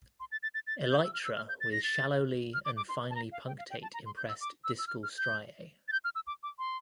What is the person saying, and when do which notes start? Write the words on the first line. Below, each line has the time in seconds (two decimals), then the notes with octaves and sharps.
Elytra with shallowly and finely punctate impressed discal striae.
0.20 C6
0.32 A6
0.43 A6
0.54 A6
0.67 A6
0.85 A6
0.89 G6
1.04 E6
1.14 F6
1.25 E6
1.36 F6
1.49 G6
1.61 A6
1.72 A#6
1.83 A6
2.54 F6
2.65 D6
2.77 D6
2.89 C6
3.11 A5
3.15 A#5
3.32 F5
3.47 G5
3.59 F5
3.70 G5
3.82 A5
3.94 A#5
4.06 C6
4.17 G6
4.29 E6
4.41 D6
4.64 E6
4.79 E6
4.87 F6
5.03 F6
5.18 G6
5.88 A6
5.92 G6
6.04 F6
6.15 E6
6.27 D6
6.43 D6
6.59 C6